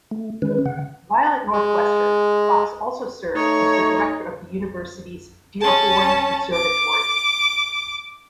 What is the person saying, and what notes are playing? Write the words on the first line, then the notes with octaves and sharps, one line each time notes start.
While at Northwestern, Fox also served as the Director of the University's Dearborn Observatory.
A3
D#3 G#3 C#4 B4
C#3 F#5
G#3
A3 D#4 C#5
C#4 A5
D6